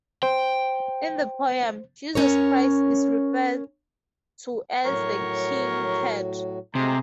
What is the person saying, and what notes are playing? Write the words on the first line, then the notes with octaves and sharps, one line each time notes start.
In the poem, Jesus Christ is referred to as the "king cat".
C5 G5
C#4 A#4 C#5
A2 F#3 F#4 A#4 C#5
C3 G#3 A3 F#4 G#4 A#5